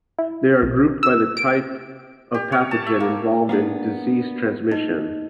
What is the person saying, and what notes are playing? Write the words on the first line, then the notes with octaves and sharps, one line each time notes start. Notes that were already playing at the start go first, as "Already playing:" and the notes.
They are grouped by the type of pathogen involved in disease transmission.
E4
B1
E6
D7
G4
C#5
A5
E5
A#3
A#3 B3 D4
D#4